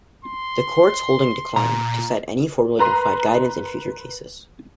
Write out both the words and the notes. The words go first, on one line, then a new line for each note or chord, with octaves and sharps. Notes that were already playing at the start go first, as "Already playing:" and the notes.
The Court's holding declined to set any formula to provide guidance in future cases.
C6
A#2 A#5
A#4 B4 A#5 C6